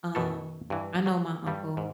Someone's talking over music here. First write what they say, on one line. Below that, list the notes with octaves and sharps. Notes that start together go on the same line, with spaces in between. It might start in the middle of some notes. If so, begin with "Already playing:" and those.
um, I know my uncle
F#2 B2 A3 A4
G2 E3
F#3
G2 G3
G#2